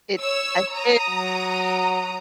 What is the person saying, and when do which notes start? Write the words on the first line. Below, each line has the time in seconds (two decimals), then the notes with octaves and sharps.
It I did
0.21 C#5 E6
0.74 A#5 D#6
1.11 F#3